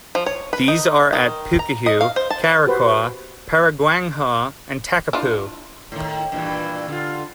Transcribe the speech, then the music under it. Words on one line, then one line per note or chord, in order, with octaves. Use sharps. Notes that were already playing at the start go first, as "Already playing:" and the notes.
These are at Pukehou, Kairakau, Porangahau and Takapau.
F3
C#5
B4
D#4
D#3
A#5
D#5
F5
C5
A5
F#4 G4 B4 C5
D4 E4 F4
A2 D#3
G2 A#2 E3
D3 F4